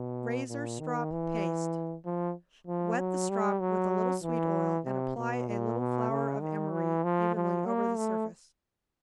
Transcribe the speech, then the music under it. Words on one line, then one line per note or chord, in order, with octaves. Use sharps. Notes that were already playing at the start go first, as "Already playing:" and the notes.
Razor-strop Paste.--Wet the strop with a little sweet oil, and apply a little flour of emery evenly over the surface.
Already playing: B2
A#2
D#3
E3
F3
F3
F#3
G3
F#3
E3
C3
B2
A#2
B2
C#3
D#3
E3
F3
F3
A#3
A3